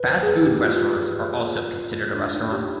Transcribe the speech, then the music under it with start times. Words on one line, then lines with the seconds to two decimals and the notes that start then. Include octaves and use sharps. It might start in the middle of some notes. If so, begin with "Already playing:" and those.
Fast food restaurants are also considered a restaurant.
Already playing: B4
0.09 C5
0.23 G#4
0.27 B4
0.46 G4
0.64 F4
2.14 D4
2.34 D#4
2.52 G4